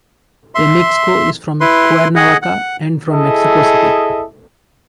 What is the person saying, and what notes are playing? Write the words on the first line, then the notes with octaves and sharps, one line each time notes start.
Temixco is from Cuernavaca and from Mexico City.
E5 C6
E4 B4 C6
G#4 D#5 F#5
F#5
E4 G#4 A4 D#5 E5